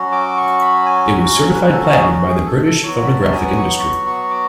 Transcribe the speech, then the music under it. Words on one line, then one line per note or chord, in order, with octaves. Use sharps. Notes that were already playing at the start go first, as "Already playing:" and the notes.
It was Certified Platinum by the British Phonographic Industry.
Already playing: F#3 C#4 F#4
D6
C#6
B5
G#5
C#5
B4
A4
G#4
F#4
G#4
A4
A4
F#3 B3 F#4 C#5
B5
A5
G#5
C#6
C#6
C#6
D6